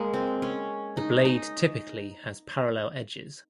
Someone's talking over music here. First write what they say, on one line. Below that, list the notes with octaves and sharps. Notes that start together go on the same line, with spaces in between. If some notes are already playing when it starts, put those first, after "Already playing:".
The blade typically has parallel edges.
Already playing: G#3 A#3
C4
C#4
D#4
D#4